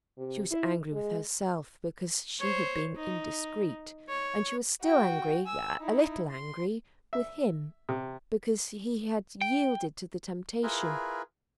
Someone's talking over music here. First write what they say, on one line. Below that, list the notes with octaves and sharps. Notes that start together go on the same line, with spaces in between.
She was angry with herself because she had been indiscreet, and she was still angry,--a little angry with him,--because he had yielded to the temptation.
C3
E4
G#3
C5 C#5
D#4
C#5
F#4 G5
G#5 E6
D#4 E4
C6
E5
C3
G5
E4 F4 G#4 A#4 B4